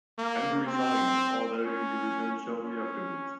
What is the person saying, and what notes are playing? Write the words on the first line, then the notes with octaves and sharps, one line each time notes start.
Kempe resigned, although he returned shortly afterwards.
A#3
C4
C#4
C#4